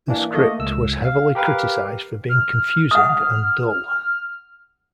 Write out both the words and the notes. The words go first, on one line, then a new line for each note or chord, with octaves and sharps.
The script was heavily criticized for being confusing and dull.
E3 A#3 D4
A3 A#3 D#5
C#2 E6
F5
G4 A#4 B4 F5
F6
F#5 D#6